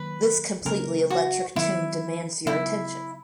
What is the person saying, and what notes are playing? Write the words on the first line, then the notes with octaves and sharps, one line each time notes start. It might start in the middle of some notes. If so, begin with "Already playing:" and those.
This completely electric tune demands your attention!
Already playing: D#3 F#3 A#3 B4
C#3 F#3 A#3 C#4 A#4
F#4
D#3 F#3 B3 E4
C#3 F#3 B3 E4